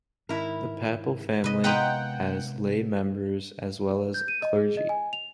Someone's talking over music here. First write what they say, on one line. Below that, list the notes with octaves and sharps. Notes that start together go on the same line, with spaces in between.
The Papal Family has lay members as well as clergy.
G#2 D#3 E4 A#4
C3 G#3 C4 B4 D#5
B3 D#4 F4 F#5 G5
G6
D#7
D#5
G#4
D#5
G#5
F7